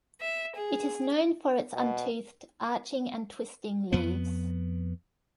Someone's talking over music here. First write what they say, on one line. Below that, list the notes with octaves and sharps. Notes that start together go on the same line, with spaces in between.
It is known for its untoothed arching and twisting leaves.
E5
G#4
B2
F2 B3